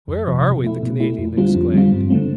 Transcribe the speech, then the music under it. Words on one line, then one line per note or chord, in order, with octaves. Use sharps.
"Where are we?" the Canadian exclaimed.
F2
C3 F3
B2
A3 E4
B2
A3 E4
F2
D3 G3 C4 F4
F2
D3 G3 C4 F4
G2
D3 A3 C4